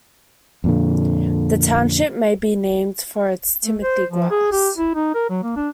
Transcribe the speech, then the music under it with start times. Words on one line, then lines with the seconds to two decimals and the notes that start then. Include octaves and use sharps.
The township may be named for its Timothy-grass.
0.64 F2 A#2 D3
3.65 A3
3.82 C5
4.11 F3
4.31 G#4
4.52 G4
4.78 E4
4.95 D#4
5.14 A#4
5.30 F#3
5.43 A#3
5.56 D4